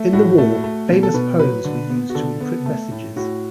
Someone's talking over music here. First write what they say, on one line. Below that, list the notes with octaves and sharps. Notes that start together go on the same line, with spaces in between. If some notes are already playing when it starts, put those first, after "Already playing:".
In the war, famous poems were used to encrypt messages.
Already playing: A3
A2 F#4
A3
A3
B2
A4
B2 B4
F#3 B4
D3
B3
F#4
D3 A4
B3
A3
A2
A2 F#4